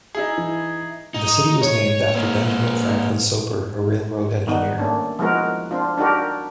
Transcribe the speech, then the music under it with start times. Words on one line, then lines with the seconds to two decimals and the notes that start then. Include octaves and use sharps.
The city was named after Benjamin Franklin Soper, a railroad engineer.
0.15 D#4 E4 G#4
0.38 E3
1.14 D#4
1.61 C#5
2.15 A#3 C4
4.47 D#3 G3 B3 D#4
4.78 A3 A#3 C#4 D4
5.19 F3 G#3 B3 E4 F#4 A#4
5.71 C4 D4 F4
5.98 D4 D#4 F#4 G4 A#4